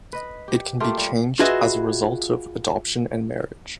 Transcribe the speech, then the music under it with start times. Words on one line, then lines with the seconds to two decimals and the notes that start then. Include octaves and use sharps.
It can be changed as a result of adoption and marriage.
0.13 B4 D#5
0.48 G4
0.80 A3 A#3 F4 G4
0.97 G3
1.39 F4 F#4 G#4 B4 D#5 E5